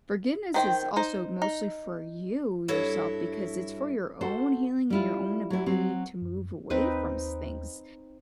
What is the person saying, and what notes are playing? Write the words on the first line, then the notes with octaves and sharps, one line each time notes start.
forgiveness is also mostly for you, yourself, because it's for your own healing and your own ability to move away from s things
D#3 C5 G5
D#4 C5
D#4
G2 E4 F#4 A4 C#5
F#4 A4 C5
G3 E4 F4
F#3 E4
F#3 C4
F#2
D#2 C4 D#4 B4